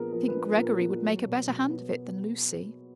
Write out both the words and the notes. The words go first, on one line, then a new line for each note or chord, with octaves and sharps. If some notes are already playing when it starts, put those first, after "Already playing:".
"I think Gregory would make a better hand of it than Lucy."
Already playing: A#2 F3 B3 D4 G#4 A#4
F3 A#4
B4
D4
B4
A#2 A#4
B3
F#3
B2
B2
B3